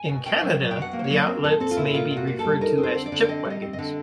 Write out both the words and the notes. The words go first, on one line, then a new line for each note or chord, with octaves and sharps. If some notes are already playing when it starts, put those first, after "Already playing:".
In Canada, the outlets may be referred to as "chip wagons".
Already playing: G#5
B2
B2 G5
F#3
F#3
G5
B2
F#5
A#3
C5
C#5
F#3
C4 A#4
A#2 A4
C4 A4
F4
A#2 E4
A#2 F4
A#2
F#4
A#2
A4
G3
D#4 A#4
C4
C5
D3
D5
D3
D5
C4 D#5
G3
D#5
C4
D#5
D3